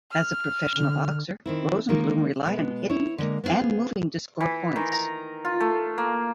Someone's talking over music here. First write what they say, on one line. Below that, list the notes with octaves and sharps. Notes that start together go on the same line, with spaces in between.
As a professional boxer, Rosenbloom relied on hitting and moving to score points.
F6
D3
D#3 C4 E4
D#3 G#3 A#3 D#4
B2 G#3 B3
E4 C#5
D3 G#3 A#3
B3 C4 D4 G#4 F5
E3
D#3
A#5
F4
A3
A#3